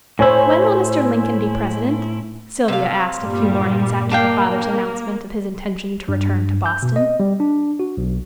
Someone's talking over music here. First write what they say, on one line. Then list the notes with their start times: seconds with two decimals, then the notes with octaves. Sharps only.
"When will Mr. Lincoln be President?" Sylvia asked a few mornings after her father's announcement of his intention to return to Boston.
0.19 A2 E4 C5 C#5 G#5
2.68 C3 F5
3.21 G2 A#2 G3
4.11 A#3 D4 F5 G5
6.08 G2
6.66 G6
6.83 B2
6.96 D#5
7.20 G3
7.40 D4
7.80 F#4
7.97 B1